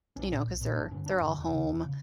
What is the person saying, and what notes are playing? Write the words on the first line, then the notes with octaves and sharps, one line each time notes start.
you know, 'cause they're they're all home,
B1 C#4
A#2
B1
A#2
G1 D4
G2 D3 C#4
G1 D4
G2 D3
E1
D2 C#3
E1
C#3